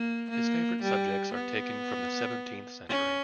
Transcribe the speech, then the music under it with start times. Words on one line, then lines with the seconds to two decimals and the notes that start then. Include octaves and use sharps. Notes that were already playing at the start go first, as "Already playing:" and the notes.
His favorite subjects are taken from the seventeenth century.
Already playing: A#3
0.31 A#3
0.83 G3
1.34 B3
2.89 C#4